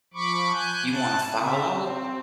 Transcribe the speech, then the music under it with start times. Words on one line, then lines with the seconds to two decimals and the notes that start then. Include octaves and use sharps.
you wanna follow
0.14 F3 B5 C#6 D6
0.53 G#5 F#6 G6
0.91 A5 F#6
1.37 C#3 C4 E5
1.68 C4